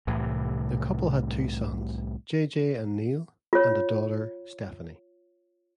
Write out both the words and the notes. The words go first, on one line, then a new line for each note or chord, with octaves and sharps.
The couple had two sons, J. J. and Neil, and a daughter, Stephanie.
C2 A2 C3 E3
F4 C#5